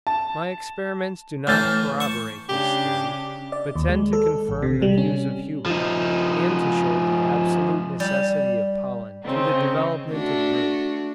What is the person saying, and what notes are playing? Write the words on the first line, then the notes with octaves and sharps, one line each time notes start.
My experiments do not corroborate this theory, but tend to confirm the views of Huber, and to show the absolute necessity of pollen to the development of brood.
A5
A2 E3 F6 G6 A6
A5 C#6
C#3 D4 G4
D5
D#2
G#3
A4
A1
C3
G3
C#4
F3 D#4
G3
C#3 C4 D#4
A3 D4 F#4